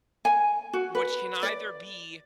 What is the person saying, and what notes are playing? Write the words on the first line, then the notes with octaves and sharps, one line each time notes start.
which can either be
G#5
F#4
B4
D5